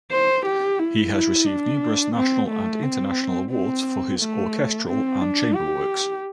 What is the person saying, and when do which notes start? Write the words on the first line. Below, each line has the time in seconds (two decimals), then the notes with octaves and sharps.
He has received numerous national and international awards for his orchestral and chamber works.
0.11 C5
0.46 G4
0.79 E4
1.13 E4
1.47 D4
2.16 C4
2.49 A3
2.83 C4
3.51 C4
4.19 A3
4.88 C4
5.21 D4
5.55 G4